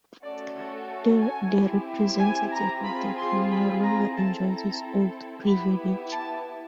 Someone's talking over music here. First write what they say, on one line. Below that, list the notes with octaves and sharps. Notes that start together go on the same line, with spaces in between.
The representative of the king no longer enjoys his his old privilege.
A3 C#4 F#4 A4 D5
G#5
C4 E4 G4
G#5
A#5
C4 F4 G#4 B5
C6
B5
A#5
C4 E4 A4 A5
A#5
B3 E4 G4 B5
A5